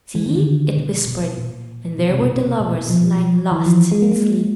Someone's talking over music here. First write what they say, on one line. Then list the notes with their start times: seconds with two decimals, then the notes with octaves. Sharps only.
"See," it whispered, and there were the lovers, lying lost in sleep.
0.15 E3
0.26 D#3
0.35 D3
0.77 B2
1.07 B2
1.37 A#2
1.98 B2
2.10 C3
2.21 B2
2.60 A#2
2.74 B2
2.90 F3
3.51 E3
3.66 F3
3.92 G#3
4.02 A#3
4.12 G#3